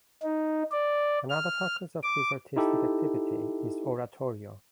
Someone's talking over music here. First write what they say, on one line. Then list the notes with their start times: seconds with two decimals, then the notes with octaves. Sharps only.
Another focus of his artistic activity is oratorio.
0.22 D#4
0.71 D5
1.30 F6
2.04 D6
2.56 D#4 E4 G4 A4